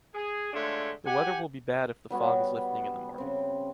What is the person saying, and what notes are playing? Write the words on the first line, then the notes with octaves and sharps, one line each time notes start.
The weather will be bad if the fog is lifting in the morning.
G#4
D3 G#3 A3 D4 F4 C#5
G4 F#5 G#5
G3 B3 F#4 C#5
C#3 C4